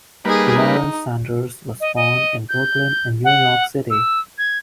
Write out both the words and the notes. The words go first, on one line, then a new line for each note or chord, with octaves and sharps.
Lawrence Sanders was born in Brooklyn in New York City.
G3 A#3 D#4 G#4 B4
D#4
D#5
D#5
G6
F#5
E6
G#6